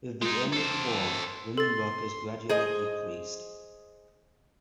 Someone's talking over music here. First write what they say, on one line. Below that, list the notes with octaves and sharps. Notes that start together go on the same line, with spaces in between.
With the end of the war women workers gradually decreased.
G#3 D#4
A4 C5
A4 C6 A6
G#4 C5 D#5